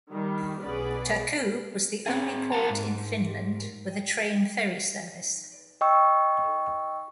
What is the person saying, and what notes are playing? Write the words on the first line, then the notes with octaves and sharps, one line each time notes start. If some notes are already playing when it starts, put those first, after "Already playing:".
Turku was the only port in Finland with a train ferry service.
D#3 G3 G4
B1 B3 C#4 G#4 B4 D5
C4 G#4
G4 F#5 A5 A#5
G#2
D#5 G5 C#6 E6